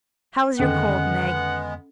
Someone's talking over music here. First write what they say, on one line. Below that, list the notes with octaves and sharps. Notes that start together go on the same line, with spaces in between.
How is your cold, Meg?
F2 D3 D#3 G#3 B3 C#4 A4 F#5